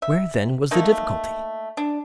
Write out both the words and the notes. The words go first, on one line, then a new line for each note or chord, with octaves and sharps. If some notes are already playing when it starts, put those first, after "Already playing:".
Where then was the difficulty?
E5
A3 A#3 D#4
D4